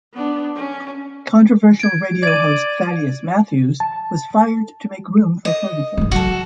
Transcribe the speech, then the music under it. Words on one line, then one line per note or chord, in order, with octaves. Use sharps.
Controversial radio host Thaddeus Matthews was fired to make room for Ferguson.
B3 D4
C#4
G#6 D7
D5 G#6 D#7
A5
D#5
G#1 E3
F#3 F#4 A4